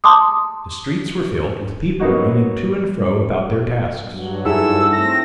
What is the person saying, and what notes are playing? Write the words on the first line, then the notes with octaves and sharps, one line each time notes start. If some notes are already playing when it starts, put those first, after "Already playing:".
The streets were filled with people running to and fro about their tasks.
A5 C6 D6 D#6
F#3 A#3 B3 D#4 F#4
G2 F#3
D#4 E4 G#4 A4 E6
A3 C4 A#6